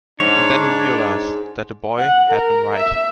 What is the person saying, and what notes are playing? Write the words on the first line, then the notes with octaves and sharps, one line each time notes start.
And then he realised that the boy had been right.
G#2 D4 C#5
F#5
A#4
E5